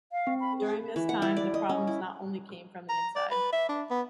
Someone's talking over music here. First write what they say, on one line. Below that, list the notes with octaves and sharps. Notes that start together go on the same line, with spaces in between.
During this time, the problems not only came from the inside.
F5
C4
B5
G#4
E3
F#5
E4
D5
D#5
C#4
E4
A#5
D5
B4
E5
D4
B3